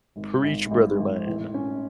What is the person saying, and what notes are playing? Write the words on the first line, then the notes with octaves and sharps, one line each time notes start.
preach, brother man.
G#1
G#1
G#1
G#1
A2
C#4